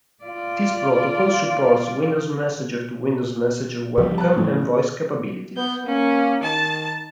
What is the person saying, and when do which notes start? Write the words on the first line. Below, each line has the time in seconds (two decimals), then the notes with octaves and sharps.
This protocol supports Windows Messenger-to-Windows Messenger webcam and voice capabilities.
0.24 F4 D5
3.98 B2 F3 G3 G4
4.18 A5 F#6
4.36 A2 E3 A3
5.57 B3 G6
5.86 A#3 C#4
6.43 D#3 A5